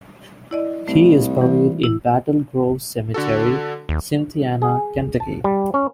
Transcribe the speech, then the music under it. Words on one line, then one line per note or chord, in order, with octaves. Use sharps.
He is buried in Battle Grove Cemetery, Cynthiana, Kentucky.
E4 D5 D#5
C2 A3
E3
E4
D3 F#4 A4
D#2
G#4
A5
G3
C#4